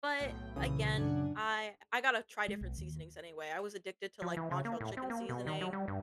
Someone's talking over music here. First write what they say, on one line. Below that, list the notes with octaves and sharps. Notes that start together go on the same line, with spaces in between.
but again, I I gotta try different seasonings anyway. I was addicted to, like, Montreal chicken seasoning,
B1 A2 G5
C2 A#2 C#3 E3 D#6
F#2 D4 F#5 G#5
G#3
B1
D#2
F3
E3
C#3
A#3
A2
C4
A#3
B2
D#3
F#3
G3
G2